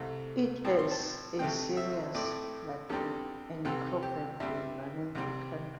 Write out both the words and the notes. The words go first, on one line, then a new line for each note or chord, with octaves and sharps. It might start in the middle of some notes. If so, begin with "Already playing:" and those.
It has a serious platform and program for running the country.
Already playing: C2 C3 A3
A2 G3 C4 A5
C6
A5
D2 C3 A3 C4 G5
E5
A2 A3 C4 D5
E2 D3 G3 C4 A4
C2 C3 E3 C4 A4
G4
G2 G3 C4 E4
C2 C3 G3 C4